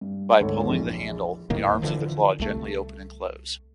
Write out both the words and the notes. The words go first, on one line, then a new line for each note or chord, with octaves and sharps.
By pulling the handle, the arms of the claw gently open and close.
G2
G#1 D2 A4 C#5
A#1 E2
D#1 A2 D#3 A#3
D3 E3 F3
C2 A3